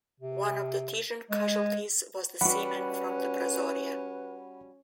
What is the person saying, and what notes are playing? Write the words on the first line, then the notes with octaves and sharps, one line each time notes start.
One of the Texian casualties was the seaman from the "Brazoria".
C3
G#3
G3 C#4 F#4 B4 F#5 B5